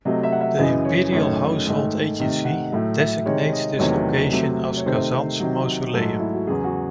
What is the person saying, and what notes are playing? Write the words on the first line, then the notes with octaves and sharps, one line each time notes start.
The Imperial Household Agency designates this location as Kazan's mausoleum.
C3 F#3 A3 D#5
E5
F#5
E5
F#2 C#3 E3 D#5
C#5
F#2 D#3 A3 C#5
G#2 D#3 A3
C3 D#3 A3
F#5
A2 F#3 A3 E5
E5
C3 D#3 G#3 C#5
D#5
E2 C3 D#3 F#3 A3 C#5
C3 F#3 A3
C#5
C3 D#3 A3 C5
C3 D#3 F#3
G#2 F#3 A3 A4
E4
F#4
E2 C#3 F#3 G#4
F#4